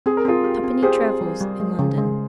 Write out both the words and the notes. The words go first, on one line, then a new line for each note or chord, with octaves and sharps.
Tuppenny travels in London.
C4 G#4
A#4
C4 F4 G#4
G4
C4
G4 G#4 C5
C4
G3
G3
G#3
C#3
G#3